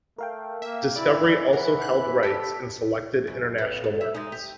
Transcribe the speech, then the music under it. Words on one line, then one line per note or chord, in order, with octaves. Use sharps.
Discovery also held rights in selected international markets.
A3 A#4 F5 G5
A#3 E5
E3 E4 D5
A#4 B4 F#5
F#6
G4 A4 B6
F#2
F2 B4
A4
E5
G#3 D#4
G4